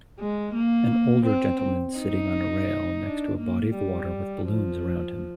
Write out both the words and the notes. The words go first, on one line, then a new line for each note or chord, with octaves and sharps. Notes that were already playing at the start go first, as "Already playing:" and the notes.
An older gentleman sitting on a rail next to a body of water with balloons around him.
G#3
A#3
C4
D#4
D4
A#3
G3
F3